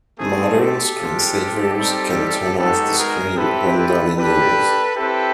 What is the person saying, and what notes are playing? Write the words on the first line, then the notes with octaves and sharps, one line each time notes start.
Modern screensavers can turn off the screen when not in use.
A3 C4 D#4 G#4
G4 A4
G#3 C4 F4
G3 C4 D#4
G#3 B3 D#4 F#4 G4 A4
G#4 A#4
C4 E4 G4 A4 B4
A4 B4
A#3 D4 G4 A4 B4
C4 E4 G4 A4 B4